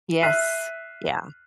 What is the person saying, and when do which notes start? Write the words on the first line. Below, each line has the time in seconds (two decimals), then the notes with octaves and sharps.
Yes. Yeah.
0.22 E5 F6 F#6 B6 C7 D#7